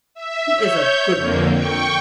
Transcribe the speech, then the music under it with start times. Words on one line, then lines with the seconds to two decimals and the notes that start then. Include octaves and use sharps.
He is a good boy.
0.14 E5
0.56 C#5 G6
1.15 F2 D3 A#3
1.51 G5 C#6